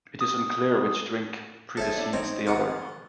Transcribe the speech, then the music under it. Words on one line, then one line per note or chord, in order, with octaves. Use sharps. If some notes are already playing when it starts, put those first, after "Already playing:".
It is unclear which drink preceded the other.
D#6
G#4 A4 C5 C#5 E5 G#5
D4 E4 D5
C4 D#4 C#5 D#5
F4 F#5